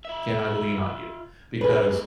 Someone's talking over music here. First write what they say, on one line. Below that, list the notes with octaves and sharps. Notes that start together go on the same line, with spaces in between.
Can I lean on you? Because
F4 E5
G#2 C#4 G#4 B4